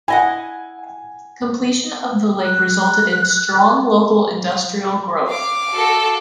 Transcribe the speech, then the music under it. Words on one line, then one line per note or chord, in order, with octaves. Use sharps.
Completion of the lake resulted in strong local industrial growth.
E4 D#5 F#5 G#5
F#6
F5 D6
F#4 A4